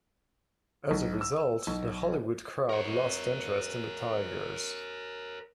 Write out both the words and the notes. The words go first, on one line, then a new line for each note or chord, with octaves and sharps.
As a result, the Hollywood crowd lost interest in the Tigers.
B1
E6
B1
A#4 C#5